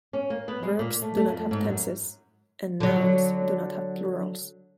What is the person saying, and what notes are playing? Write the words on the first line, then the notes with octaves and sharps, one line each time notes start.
Verbs do not have tenses, and nouns do not have plurals.
C#4
A#3
B3
G#3
A#2
A3
A3
F2
G#2
F#2
D3 F#3